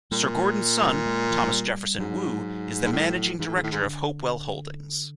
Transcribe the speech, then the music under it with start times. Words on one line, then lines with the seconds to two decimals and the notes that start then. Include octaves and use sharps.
Sir Gordon's son, Thomas Jefferson Wu, is the managing director of Hopewell Holdings.
0.11 A#2 G3
0.35 G#3
0.82 G3
1.06 G#3
1.31 F3
1.41 F#3
1.52 G3
1.98 G#2 F#3
2.82 G#2 F#3
2.92 A2 G3
3.16 F#3
3.39 G#2 E3
3.47 A2
3.55 G#2
3.63 A2 D#3
3.71 G#2
3.86 D3